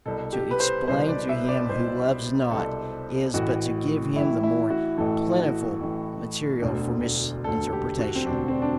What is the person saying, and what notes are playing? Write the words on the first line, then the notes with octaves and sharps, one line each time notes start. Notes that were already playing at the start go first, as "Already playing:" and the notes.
To explain to him who loves not, is but to give him the more plentiful material for misinterpretation.
C2 B2 A4
G4
B4
C5
C2 B2 C5
D5
E5
D5
C2 B2 C5
C2 B2 A4
A1 A2 E3 F#4
A1 A2 E3 E4
E4
F#4
A1 A2 E3 A4
F#4
A1 A2 E3
E1 D2 D3
E1 D2 D3 A4
G4
F#4
C4
E1 D2 D3 D4
C4
D4